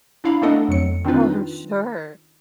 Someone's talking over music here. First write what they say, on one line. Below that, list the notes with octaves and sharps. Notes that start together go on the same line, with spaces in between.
Oh, I'm sure.
D4 E4 F5 A#5 B5
A3 B3 D4 A4 D#5 F#5
F2 F#3 C#7
D#3 C4 D4 D#4 F4 B4